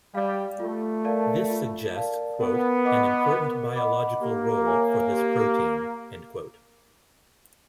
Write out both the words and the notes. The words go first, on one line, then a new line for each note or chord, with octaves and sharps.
This suggests "an important biological role for this protein".
G3 D5 F5
A3 F4
A#4 D5 F5 A5
F4
A#4 D5 F5 A5
B3 A#4
D#5 F#5 B5 D6
A#4
D#5 F#5 B5 D6
A#3 G4
A#4 C#5 E5 G#5
G4